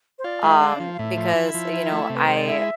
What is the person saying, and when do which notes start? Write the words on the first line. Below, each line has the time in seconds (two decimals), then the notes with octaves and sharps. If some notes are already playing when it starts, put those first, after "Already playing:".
um, because, uh, you know, I
0.19 C5
0.24 F4 D5
0.43 G#3 E5
0.61 D4 F5
0.80 F3
0.94 F5
0.99 A2 E5
1.17 F3
1.36 E4
1.54 F3
1.73 E4
1.92 A3
2.10 C3
2.15 B4
2.27 G#3 C5
2.37 D5
2.48 E4 E5